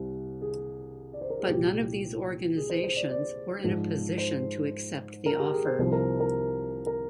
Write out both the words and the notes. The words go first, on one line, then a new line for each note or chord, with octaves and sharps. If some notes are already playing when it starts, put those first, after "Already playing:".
But none of these organizations were in a position to accept the offer.
Already playing: C2 C3 G3
G#4
D5
C5
A#4
G#4
C2 A#2 G3 G4
G#4
C5
C5
D5
D5
G#2 F3
C5
A#4
G4
G#4
C5
C2 C3 F3 C5
A#4
A#4
A#4